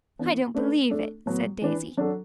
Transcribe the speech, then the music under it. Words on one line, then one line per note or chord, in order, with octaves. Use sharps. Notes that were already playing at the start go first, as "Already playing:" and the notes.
"I don't believe it!" said Daisy.
E3 B3 D4
A3 D4 B4
A3 D4 A4
A2 F#3 B3
E3 D4 B4
F#3 D4 F#4 A4